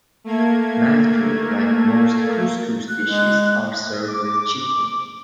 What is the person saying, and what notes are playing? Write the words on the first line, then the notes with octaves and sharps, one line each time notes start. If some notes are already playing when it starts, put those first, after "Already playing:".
Maftool, like most couscous dishes, are served with chicken.
A3 A#3 G#6
F#6
G#3
D6